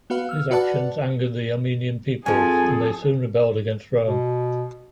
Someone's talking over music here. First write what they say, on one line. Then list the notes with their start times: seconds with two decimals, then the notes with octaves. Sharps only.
These actions angered the Armenian peoples and they soon rebelled against Rome.
0.10 B3 F#4 B4 F5
0.29 E6 F6
0.51 F#4 B4 D5 F#5 A5
2.26 F2 F3 G#4 A4 G#5
4.07 B2